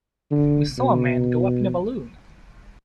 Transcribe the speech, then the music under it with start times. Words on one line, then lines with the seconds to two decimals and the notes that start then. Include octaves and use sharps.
We saw a man go up in a balloon.
0.31 D3
0.78 B2